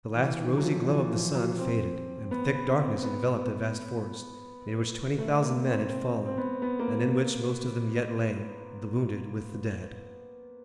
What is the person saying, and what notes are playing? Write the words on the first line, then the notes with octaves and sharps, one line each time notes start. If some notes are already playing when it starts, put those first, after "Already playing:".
The last rosy glow of the sun faded, and thick darkness enveloped the vast forest, in which twenty thousand men had fallen, and in which most of them yet lay, the wounded with the dead.
E3
D#3
F#3
F3
E3
F3
F#3
C4
B3
B3
C4
B3
A3
A#3
C4
C4
C4
B3
B3
A#3